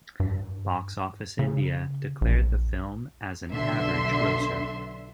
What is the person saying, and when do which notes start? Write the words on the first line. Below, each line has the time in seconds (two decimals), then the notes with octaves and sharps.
Box Office India declared the film as an average grosser.
0.20 G2
1.39 C#3
2.21 A#1
3.51 B1 D3 E5 C6